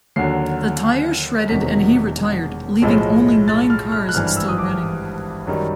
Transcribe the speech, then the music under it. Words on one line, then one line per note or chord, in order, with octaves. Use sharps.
The tire shredded and he retired, leaving only nine cars still running.
D#2 D3 F#3 C7
E1 E2 C3 D#3 F#3 B6
B1 A2 F3 G#3
A6
F6
F6
F#6
G#1 G2 E3 G3 F6
F6
E6
D#6
D6
F#2 D#3 G3